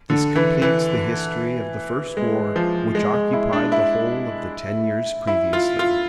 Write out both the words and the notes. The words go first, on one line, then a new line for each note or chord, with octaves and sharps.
This completes the history of the first war, which occupied the whole of the ten years previously.
D3
E3
E3
G#3
F3
G#3
G#3
E4
D4
E4
E4
F4
F4